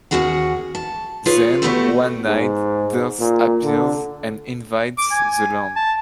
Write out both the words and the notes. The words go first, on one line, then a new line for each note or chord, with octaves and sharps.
Then, one night, Dirth appears and invades the land.
D#2 F3 C#4 F#4 G#4 F#5
A5
F4 G#4 B4 C#5
B2 A3 B3 F#4 G4 A4
G#2
A#2
D3
D6
G#5
A5